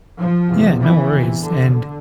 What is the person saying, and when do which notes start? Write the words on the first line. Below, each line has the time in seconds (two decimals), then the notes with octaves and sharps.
Yeah, no worries, and,
0.20 F3
0.49 E2 C3
0.80 E3
1.10 E2 C3
1.40 D3
1.70 D3